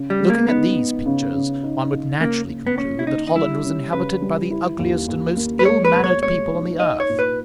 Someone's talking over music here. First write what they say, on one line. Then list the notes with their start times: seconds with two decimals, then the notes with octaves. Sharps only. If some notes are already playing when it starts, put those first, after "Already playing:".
Looking at these pictures, one would naturally conclude that Holland was inhabited by the ugliest and most ill-mannered people on the earth.
Already playing: C#3 C#4
0.10 G3
0.20 G#3
0.30 A#3
0.48 B3 D#4
0.77 D#4
1.06 C#3
1.34 C#3
1.63 D#4
1.92 C#3
2.20 C#3 A#3
2.49 A#3
2.67 B3
2.78 A#3 C#4
2.99 E4
3.07 C#3 D#4
3.27 D#4
3.36 G3 E4
3.64 C#4
3.93 C#3 B4
4.22 G3
4.51 E4
4.79 D#2
5.08 D#2
5.37 A#3
5.59 B4
5.65 G#3 C#5
5.85 B4
5.94 B2
6.04 C#5
6.23 G#3 C#5
6.52 D#4
6.80 D#4 D#5
7.00 C#5
7.09 A#2
7.19 B4